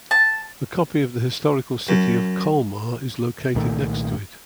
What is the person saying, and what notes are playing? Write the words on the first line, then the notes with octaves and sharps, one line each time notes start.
A copy of the historical city of Colmar is located next to it.
A5
F#2
C2 A#2 D#3 A3